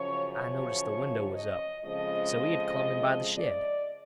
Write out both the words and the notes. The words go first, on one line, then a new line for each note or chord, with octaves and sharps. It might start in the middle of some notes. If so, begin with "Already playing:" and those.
I noticed the window was up; so he had clumb in by the shed.
Already playing: F#2 C#3 F3 C#5
C#5
D#5
F2 C#3 F3 G#3 D#5
D5